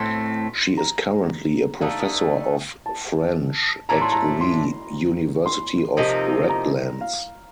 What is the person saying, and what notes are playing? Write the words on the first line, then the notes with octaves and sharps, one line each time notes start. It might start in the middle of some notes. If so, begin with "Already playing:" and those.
She is currently a professor of French at the University of Redlands.
Already playing: A2 A3 C4 C6
A#5
D3 A3 D#4 F5
A5
A2 A3 D4 A#5
C6
A#5
C6
C6
C3 F3 A#3 D#4
A#5
F5